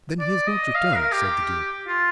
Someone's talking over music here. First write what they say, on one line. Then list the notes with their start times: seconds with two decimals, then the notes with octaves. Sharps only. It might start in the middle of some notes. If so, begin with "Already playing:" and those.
"Then he has not returned?" said the duke.
0.20 D5
0.47 D#5
0.75 F5
0.95 A#4
1.12 G4
1.88 F4